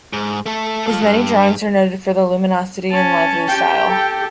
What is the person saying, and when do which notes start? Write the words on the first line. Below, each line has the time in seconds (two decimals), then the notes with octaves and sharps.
His many drawings are noted for their luminosity and lively style.
0.13 G#2
0.46 A3 A4
0.87 F4 A4
1.01 G2
2.91 C#4 A5
3.47 G4 G5
3.86 A4